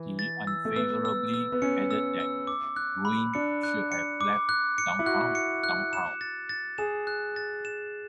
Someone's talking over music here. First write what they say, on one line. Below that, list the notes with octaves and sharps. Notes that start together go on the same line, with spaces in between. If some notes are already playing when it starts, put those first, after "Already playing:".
He unfavorably added that Gruen should have left downtown, downtown.
Already playing: E3
A6
E6
A3
B3 E6
E6
E6
B3
C#4 C#7
E6
E6
D6
F#6
B5
D4 C#7
F#6
C#7
D6
F#6
C#7
E4
F#4 F#6
C#7
F#6
E7
A6
A6
G#4 E7
F#6
A6
E7